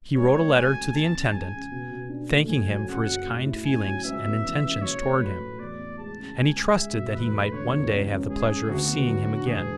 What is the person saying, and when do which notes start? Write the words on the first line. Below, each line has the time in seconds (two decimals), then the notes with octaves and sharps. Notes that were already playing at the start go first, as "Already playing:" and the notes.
He wrote a letter to the intendant, thanking him for his kind feelings and intentions toward him, and he trusted that he might one day have the pleasure of seeing him again.
0.16 C#2 C#5
0.35 A3
0.55 F#3 G#5
0.75 C#3
0.94 E2 A5
1.13 C#4
1.33 G#3 G#5
1.52 C#3
1.71 B2
1.91 B2
2.09 D4
2.30 A3
2.49 F#1 G#5
2.69 F#3
2.88 C#3 F#5
3.07 F#2
3.26 A2
3.45 E4
3.65 C#4 G#5
3.84 F#3
4.04 C#2 E5
4.23 B3
4.43 E3
4.62 C#3
4.81 B1 C#5
5.02 A3
5.20 F#3 B4
5.40 A2
5.59 E2 D5
5.79 B3
5.98 G#3 A5
6.17 C#3
6.37 C#2 G#5
6.56 C#2
6.76 G#3 E5
6.95 B2
7.14 E1 B4
7.34 A3
7.52 D3 C#5
7.73 E2
7.91 C#2
8.11 C#4
8.30 G#3 G#4
8.50 C#3
8.69 D2 F#4
8.88 B3
9.08 F#3
9.28 D3
9.47 E1 G#4